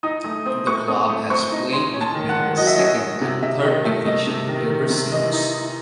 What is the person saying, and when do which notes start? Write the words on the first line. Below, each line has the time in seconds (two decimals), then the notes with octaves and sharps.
The club has played between the Second and Third Division ever since.
0.03 D#4 D#6
0.24 A3 D#6
0.46 C4 D#6
0.67 A3 C#6
0.88 C4 D#6
1.10 A3
1.30 C4 C#6
1.52 D#4
1.72 C#4 C6
1.94 C#4
2.01 A5
2.15 D#3
2.29 F#5
2.36 D#3
2.57 F#3 D#5
2.67 E5
2.76 C#4 D#5
3.00 C#4
3.21 C3
3.42 C3 E5
3.63 D#3 D#5
3.85 A3 E5
4.06 C3 D#5
4.27 C3
4.48 D#3
4.70 D#3
4.90 C3
5.12 E3 D#5
5.33 D#4
5.54 D#4